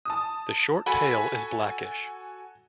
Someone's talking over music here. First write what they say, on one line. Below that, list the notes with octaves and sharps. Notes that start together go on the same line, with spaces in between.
The short tail is blackish.
A5 D#6
F#4 A4 G#5 B5